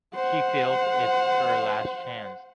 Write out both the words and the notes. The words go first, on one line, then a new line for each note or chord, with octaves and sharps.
She feels it's her last chance.
C5 F#5